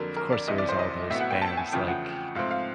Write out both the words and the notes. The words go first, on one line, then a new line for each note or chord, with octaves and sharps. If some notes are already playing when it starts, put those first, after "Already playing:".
of course, there was all those bands like
Already playing: F2 D3 F#3 A#3 A#4
A#4
D5
C2 C3 E3 D#5
D5
C5
D#5
A2 F#3 B3 E5
F#5
G5
A5
G#5
E2 C#3 F3 A3 G5
F#5
G#2 F3 A3 C4 F5
F5